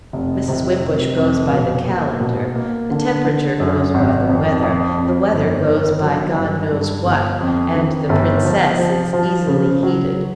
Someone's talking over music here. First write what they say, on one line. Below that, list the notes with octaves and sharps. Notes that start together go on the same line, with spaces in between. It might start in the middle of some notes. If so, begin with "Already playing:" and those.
Mrs. Wimbush goes by the calendar, the temperature goes by the weather, the weather goes by God knows what, and the Princess is easily heated.
F1
C3
F1
F2
B2
A#3
B2
A#3
D3
D3
F#2
G#1
F2
F2
F2
G1
D#3
F#3
G2
G2
G1
F2
D#3
G1
F3
F3
F3
C#3
F#3